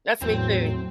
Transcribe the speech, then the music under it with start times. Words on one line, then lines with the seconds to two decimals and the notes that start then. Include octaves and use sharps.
That's me too.
0.22 E2 A2 F#3 C4 C5 G5